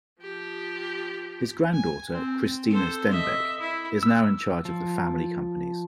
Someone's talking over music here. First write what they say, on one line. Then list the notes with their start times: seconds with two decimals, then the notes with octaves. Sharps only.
His granddaughter, Cristina Stenbeck is now in charge of the family companies.
0.21 F3 G4
1.73 G#5
2.12 C4
2.70 A4 C5
3.11 D#5 E5
3.60 E4
4.03 E6
4.65 F3